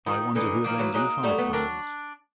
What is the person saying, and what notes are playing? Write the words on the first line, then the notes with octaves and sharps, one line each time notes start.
I wonder who'd lend you five pounds?
D#3 F3 D#4
D3 E3 D#4
D#3 F3 A#3
E3 F#3
F#3 G#3 D#4
F#3 G3 A3
A3 B3
A#3 C4 D4